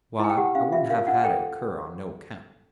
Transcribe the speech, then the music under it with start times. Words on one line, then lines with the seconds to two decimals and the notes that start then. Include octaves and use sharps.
Why, I wouldn't have had it occur on no account.'
0.20 E4 G#5
0.30 G5
0.37 G4 F#5
0.55 C#4 F5
0.72 F4 E5
0.90 A#4 F5
1.07 D4 F#5
1.24 A4 G5